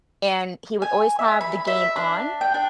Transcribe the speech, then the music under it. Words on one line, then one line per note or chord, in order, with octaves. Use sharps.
and he would always have the game on,
G#5
E5
B5
E5
D4
G5
D4